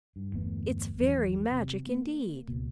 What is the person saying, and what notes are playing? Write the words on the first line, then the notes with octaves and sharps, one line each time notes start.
It's very magic indeed.
G2
G1 E2 A3 B3
G#1 E2 E3 F#3
C3
A#3
C#2 B2